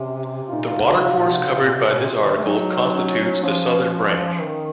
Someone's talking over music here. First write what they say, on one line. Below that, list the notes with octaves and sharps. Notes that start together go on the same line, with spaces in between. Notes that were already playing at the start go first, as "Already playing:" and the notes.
The watercourse covered by this article constitutes the southern branch.
Already playing: C3 C#4
C3
F4
A#2 D#4
F4
C#3
C3 F#4
C#3 F#4
C3 F4
C3
A#2
C3
C#3
A#2
C3
C3
A#2
C3
D#3
A3
F#3 D#4
C#4
F3 C#4
D#3